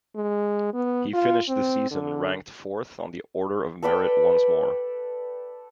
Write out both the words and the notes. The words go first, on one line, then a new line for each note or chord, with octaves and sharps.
He finished the season ranked fourth on the Order of Merit once more.
G#3
B3
F4
C4
D3
A4 B4 D5 G5